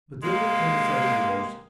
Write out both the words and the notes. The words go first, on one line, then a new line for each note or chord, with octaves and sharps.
But then there came a sudden revulsion.
C3 G#3 A#3